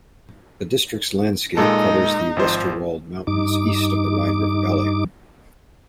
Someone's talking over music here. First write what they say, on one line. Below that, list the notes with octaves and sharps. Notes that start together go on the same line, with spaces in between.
The districts landscape covers the Westerwald mountains, east of the Rhine river valley.
A#2 G#3 D#4 A4
G#1 F3 C5
G2 D#4 D6